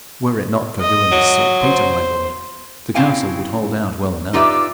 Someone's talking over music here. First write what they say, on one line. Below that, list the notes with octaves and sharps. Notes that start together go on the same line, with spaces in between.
'Were it not for villanous saltpetre, my lord, the castle would hold out well enough.'
D#5
F#3
C5
C#3 C4 E4 F5 G#5
D#4 F4 G4 B4 D5 E5